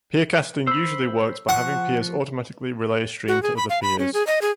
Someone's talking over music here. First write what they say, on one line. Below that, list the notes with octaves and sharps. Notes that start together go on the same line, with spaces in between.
Peercasting usually works by having peers automatically relay a stream to other peers.
C5 B5 E6
F3 F#5 C#6 F#6
F#4
G#4
B5
F5
B5
C#4
G#4
D#5
G#4